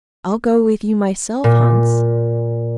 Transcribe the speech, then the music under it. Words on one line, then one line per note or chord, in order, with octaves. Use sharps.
'I'll go with you myself, Hans.'
A#2